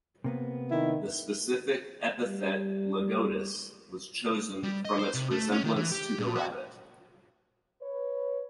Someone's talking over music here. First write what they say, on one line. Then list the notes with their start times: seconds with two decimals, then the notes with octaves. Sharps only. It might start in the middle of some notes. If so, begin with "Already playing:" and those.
The specific epithet "lagotis" was chosen "from its resemblance to the Rabbit".
0.24 C3 A#3 B3
0.71 D#3 E4
2.25 G3
4.64 G3
4.85 D#5
4.99 C5
5.14 C3
5.31 A3
5.52 C#4
5.64 D#3
5.76 E3
5.92 G4
6.19 A#2
6.35 F#4
7.82 B4 C#5